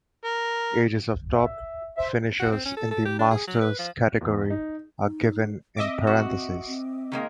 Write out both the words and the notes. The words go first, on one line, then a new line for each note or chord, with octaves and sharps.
Ages of top finishers in the Masters category are given in parentheses.
A#4
E5
C5 E5
F#4
C4
C#4
A4
A4
G4
D4
G#4
F#3
B4
F3
E2
D#4
D#4
C4 D#5 E5 D6
F#4
C4
D#3 G#3 A#3